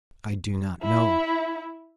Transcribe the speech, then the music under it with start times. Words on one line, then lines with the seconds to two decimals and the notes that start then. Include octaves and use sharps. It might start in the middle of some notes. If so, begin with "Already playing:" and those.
"I do not know."
0.82 E4 E5